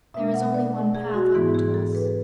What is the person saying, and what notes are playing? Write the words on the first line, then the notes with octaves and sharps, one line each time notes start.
There is only one path open to us.
B2 G#3 D4 E5
F#5
D5
G#4
F#4
G#2 E3 B3 E4 G#4
G#4
A4
B4